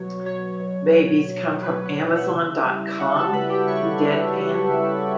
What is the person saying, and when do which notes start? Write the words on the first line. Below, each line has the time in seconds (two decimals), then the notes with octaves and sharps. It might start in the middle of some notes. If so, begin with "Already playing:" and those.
"Babies come from amazon.com," he deadpanned.
Already playing: B2 F#3 C#5
0.26 F#3 C#5
0.60 B2
0.94 B2
1.29 F#3
1.62 F#3 B4
1.86 C#5
1.97 B2
2.08 E5
2.16 F#5
2.23 E4 E5
2.30 C#3
2.65 G3
2.88 E5
2.99 G3 F#4 F#5
3.16 A4 A5
3.33 C#3 B4 B5
3.49 G4 G5
3.67 C#3 C#5 C#6
4.01 G3
4.36 G3
4.69 C#3